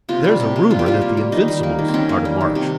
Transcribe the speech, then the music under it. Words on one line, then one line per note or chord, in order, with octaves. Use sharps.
There is a rumor that the Invincibles are to march.
C3 F4
G3
C3
C3
G3 F4
G4
G3 F4
A#3
G3
D#3 D#4
G3
A#3
D#3
C4
D#3 C#4
A#3
G3
D#3
C3